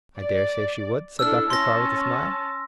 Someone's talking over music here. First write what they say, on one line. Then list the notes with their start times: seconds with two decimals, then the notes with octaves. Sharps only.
"I dare say she would," said Dr. Carr, with a smile.
0.19 D5
1.19 D4 E4 A4 E6 F6
1.50 C#4 A5 C6 A#6